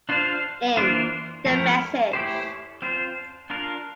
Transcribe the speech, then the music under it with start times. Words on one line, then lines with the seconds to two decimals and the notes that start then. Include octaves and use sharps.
In: The Message.
0.09 D4 F4 C5 F5
0.77 E3 A#3 D4 F4 C5
1.46 F3 A3 E4 A#4
2.13 A3 E4 G4 C5
2.82 C4 F4 C5
3.50 D4 F4 A#4 F5